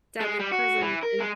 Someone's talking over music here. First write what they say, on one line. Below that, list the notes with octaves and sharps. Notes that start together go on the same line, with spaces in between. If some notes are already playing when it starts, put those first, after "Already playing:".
deadly prison is in
G#3
G3
F#4
E3
A#4
G#3